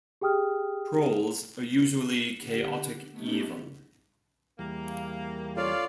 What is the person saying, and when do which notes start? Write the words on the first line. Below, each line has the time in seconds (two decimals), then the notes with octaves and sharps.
Trolls are usually chaotic evil.
0.21 G4 G#4 G5 D#6 F6
2.35 D3 G4 F#5
3.10 A3 B3 C#4 D#4 G4
4.59 E2 G3 A#3
5.57 F4 A4 C#5 D5 F5